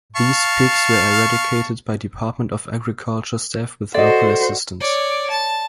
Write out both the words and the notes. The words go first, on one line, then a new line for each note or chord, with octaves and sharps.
These pigs were eradicated by Department of Agriculture staff with local assistance.
F5 A5 C#6
F#4 A4 C5 D5 D#5
C#5 D5
A5